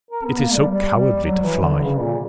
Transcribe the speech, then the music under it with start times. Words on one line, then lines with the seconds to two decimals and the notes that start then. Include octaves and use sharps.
"It is so cowardly to fly!"
0.11 A#4
0.25 B3
0.39 A#3
0.54 G3
0.67 G3
0.96 G3
1.24 F#3
1.43 E3
1.62 D3
1.81 C#3
2.00 A#2